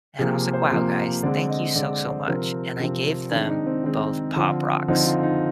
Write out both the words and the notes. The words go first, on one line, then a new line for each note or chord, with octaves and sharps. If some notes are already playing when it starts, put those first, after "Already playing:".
And I was like, "Wow, guys. Thank you so, so much." And I gave them both Pop Rocks.
C3 F3 A#3 G#4
C5
C3 F3 A#3
D3 G#3 C4 D5
D#5
D3 G#3 C4 D5
D5
C5
C3 F3 C4 A#4
C3 F3 C4
D#3 G#3 C4 D4
D#4
C4
D#3 G#3 C4
D3 F3 C4
D3 F3 C4 D#4
F4
D#4